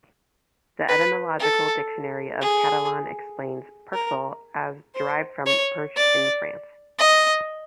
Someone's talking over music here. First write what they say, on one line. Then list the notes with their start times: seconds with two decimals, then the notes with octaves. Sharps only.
The etymological dictionary of Catalan explains "perxal" as "derived from Perche in France".
0.88 B4
1.40 A4
2.41 G#4
3.94 A#4
4.95 C5
5.46 C#5
5.97 D5
6.99 D#5